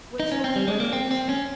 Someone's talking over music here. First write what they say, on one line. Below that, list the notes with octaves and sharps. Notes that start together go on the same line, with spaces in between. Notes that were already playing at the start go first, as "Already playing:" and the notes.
"What sort of ledgers?"
D#4
C#4
C4
G3
G#3
A#3
C4
C4
C#4